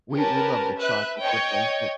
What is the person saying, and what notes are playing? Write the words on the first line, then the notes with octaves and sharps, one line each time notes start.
We we loved the chocolate chip ones, but
C#4 G4 A#4 B4 A5
B4 E5 F#6
C#5 D#5 G5